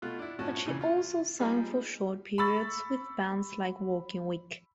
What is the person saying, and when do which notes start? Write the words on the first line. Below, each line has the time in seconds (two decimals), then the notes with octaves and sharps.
But she also sang for short periods with bands like Working Week.
0.02 B2 A3 F4 F#6
0.19 D4 E4
0.39 A2 F3 C#4 F#4 A5 F#6
0.65 A#2 C#3 E3 C#4
0.81 F4
1.39 F3 G3 D#4 G#4 B5 F6
2.38 B5 C#6 E6 A6